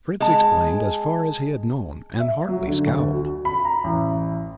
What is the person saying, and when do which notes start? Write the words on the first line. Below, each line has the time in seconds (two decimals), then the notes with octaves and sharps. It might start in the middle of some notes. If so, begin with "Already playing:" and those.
Fritz explained as far as he had known, and Hartly scowled.
0.20 G#3 A5
2.20 E5
2.49 F#3
2.67 D3
2.87 D2
3.13 F#4
3.45 B5
3.65 A#5
3.84 A1